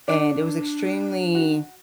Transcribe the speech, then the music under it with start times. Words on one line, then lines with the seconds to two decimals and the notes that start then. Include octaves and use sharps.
and it was extremely
0.08 D4 D5
1.35 F#4